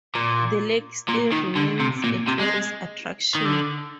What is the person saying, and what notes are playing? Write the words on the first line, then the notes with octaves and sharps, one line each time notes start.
The lake still remains a tourist attraction.
A#2
A#2
D#3
D3
C3
A#2
C3
G#3
D#3
D3